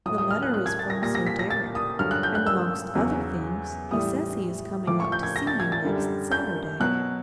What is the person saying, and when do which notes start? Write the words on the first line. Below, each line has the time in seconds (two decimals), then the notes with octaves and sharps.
"The letter is from Sir Deryck, and, amongst other things, he says he is coming up to see you next Saturday."
0.06 F#3 D#6
0.09 A2
0.18 D#6
0.31 F6
0.43 F#6
0.54 F#6
0.66 G#6
0.79 A6
0.90 A#6
1.02 A#2 G3 A#6
1.15 A#6
1.27 B6
1.39 A#6
1.50 A6
1.75 D#6
1.99 G2 D3 F#3 F6
2.11 F#6
2.23 G6
2.35 F#6
2.47 E6
2.95 E2 C#3 F#3
3.91 A2 E3 G3 D#6
4.87 A2 F3 D6
5.00 C#6
5.12 G6
5.23 G#6
5.36 A#6
5.47 A6
5.60 G#6
5.72 A6
5.84 F#2 D3 G3
6.32 G6
6.80 B2 F#3 F#6